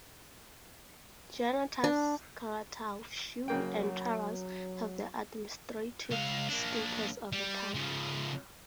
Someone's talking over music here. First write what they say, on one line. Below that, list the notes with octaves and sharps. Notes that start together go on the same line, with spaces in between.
Janatas, Karatau, Shu, and Taraz have the administrative status of a town.
D4
C#3 F#3 A#3 G5
C#2 F5
A#3 D4
G3
C#3 F3